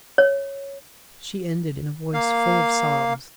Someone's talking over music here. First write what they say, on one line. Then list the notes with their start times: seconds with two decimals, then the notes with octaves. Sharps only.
She ended in a voice full of sobs.
0.18 C#5
2.14 A#3 F5